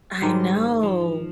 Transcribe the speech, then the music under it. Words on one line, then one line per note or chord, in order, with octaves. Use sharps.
I know.
G#2 D#3 G3 G#3 D4
F3